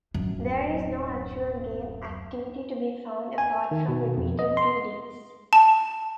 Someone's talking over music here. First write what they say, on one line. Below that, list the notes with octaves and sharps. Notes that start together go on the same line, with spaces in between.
There is no actual game activity to be found apart from repeated readings.
D1 F#2
G#5
D#3
B2
F2
D#5
C6
A5